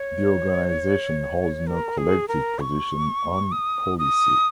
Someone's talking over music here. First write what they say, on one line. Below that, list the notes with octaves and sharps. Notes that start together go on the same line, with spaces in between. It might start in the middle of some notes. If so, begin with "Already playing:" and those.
The organisation holds no collective position on policy.
Already playing: C#5
A#4
G#4
A#4
C#6
D#6
D#6